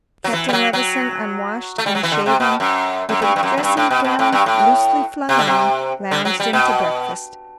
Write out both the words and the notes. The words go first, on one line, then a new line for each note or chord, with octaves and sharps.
Captain Levison, unwashed, unshaven, with a dressing-gown loosely flung on, lounged in to breakfast.
F#3
E3
G3
F#3
F#3
A3
G3
F#3
E3
D3
C3
B2
F#2
F#2
G2
G2
F#2
F#2
G2
A2
B2
B2
A2
G2
A2
C3
D3
C3
D3
F#3
G3
B2